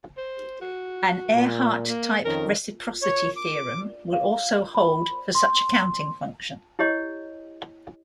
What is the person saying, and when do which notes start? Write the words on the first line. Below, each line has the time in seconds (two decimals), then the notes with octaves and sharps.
An Ehrhart-type reciprocity theorem will also hold for such a counting function.
0.17 C5
0.61 F#4
1.34 A#2
1.88 A#3
2.25 F2 D#3 C#4 A#4
3.02 C#5
3.36 D6
4.13 F5
4.75 B5
5.35 C6
6.79 E4 G4 C#5 D#5